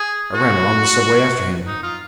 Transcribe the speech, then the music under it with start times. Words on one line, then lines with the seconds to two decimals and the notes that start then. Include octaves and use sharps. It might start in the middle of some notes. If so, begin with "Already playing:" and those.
I ran along the subway after him.
Already playing: G#4
0.34 F#4
1.66 D#4
1.83 F4